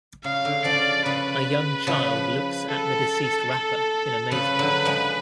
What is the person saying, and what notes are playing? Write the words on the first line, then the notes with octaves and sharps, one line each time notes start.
A young child looks at the deceased rapper in amazement.
C#3 F5
D3
C#3 F3 D5
C#3 B4
C#3 F3
A4
A4
C#3 F3 B4
D3 F#3
F3 G#3